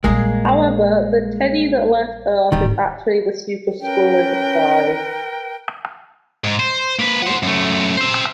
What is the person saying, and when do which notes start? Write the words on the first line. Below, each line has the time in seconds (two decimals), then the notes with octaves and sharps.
However, the "Teddy" that left Earth is actually the Super-Skrull in disguise.
0.04 A#1 G3 G#3 A#3 G#4
2.52 D1 G#2 D#3 G3
3.81 C#4 A#4 B4 G5
6.44 G#2
6.59 C5
6.99 A#3 B4
7.22 C5 F#5
7.43 F#2 A3
7.97 C5 E5